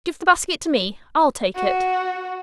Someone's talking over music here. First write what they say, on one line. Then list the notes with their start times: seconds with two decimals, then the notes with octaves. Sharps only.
'Give the basket to me,--I'll take it.'
1.56 F#4